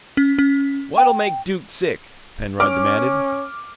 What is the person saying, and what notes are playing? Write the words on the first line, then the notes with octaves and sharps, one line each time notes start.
"What'll make Duke sick?" Penrod demanded.
C#4
C#4
G5
C#4 D6 F6